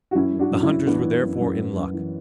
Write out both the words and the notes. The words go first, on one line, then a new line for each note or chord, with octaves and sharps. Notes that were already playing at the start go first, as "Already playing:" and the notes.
The hunters were therefore in luck.
F#4
F#2 C#4 E4
F#2
D4 F#4
F#2
C#4 E4
F#2
E3 B3 D4
E3
F#2
F#2
F#2
F#2
E3